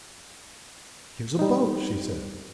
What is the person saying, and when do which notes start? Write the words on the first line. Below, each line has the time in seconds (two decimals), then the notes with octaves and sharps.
"Here's a boat!" she said.
1.39 G3 D#4